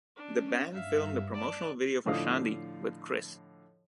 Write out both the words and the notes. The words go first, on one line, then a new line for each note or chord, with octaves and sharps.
The band filmed a promotional video for "Shandi" with Criss.
C#4 D4
G2 E5 F5
D5 A5 F#6
A2 D3 F3 D#5 F5 D#6